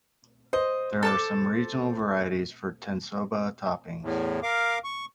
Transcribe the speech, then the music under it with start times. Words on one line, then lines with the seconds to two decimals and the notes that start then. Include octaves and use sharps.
There are some regional varieties for tensoba toppings.
0.53 C5 D#5
1.03 A4 A5 D6
4.02 E2 A2
4.43 A#4 F5 D6
4.84 C#6